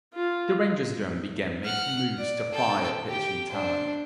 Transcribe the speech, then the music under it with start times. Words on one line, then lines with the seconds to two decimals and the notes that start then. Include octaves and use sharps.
The Rangers then began making moves to acquire pitching talent.
0.14 F4
1.65 F#5 F6
2.18 D5
2.53 A4 G5
3.07 G4 G5
3.50 D4 C5